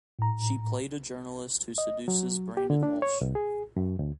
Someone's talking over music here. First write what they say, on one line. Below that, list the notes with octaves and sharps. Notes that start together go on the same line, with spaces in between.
She played a journalist who seduces Brandon Walsh.
A2 A#5
D#5
F#3
G4
D3
D4
C#5
C2
G#4
F#2
D2